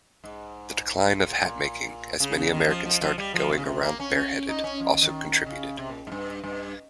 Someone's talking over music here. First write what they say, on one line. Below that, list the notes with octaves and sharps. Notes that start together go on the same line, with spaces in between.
The decline of hatmaking, as many Americans started going around bareheaded, also contributed.
G#2
A#2
A#2
C#3
C#3
D#3
F3
F3
F3
G3
F3
C3
C#3
C3
A#3
C#4
C#4
D#4
C#4
F3
D#3
D#3
C#3
C3
A#2
G#2
G2
G2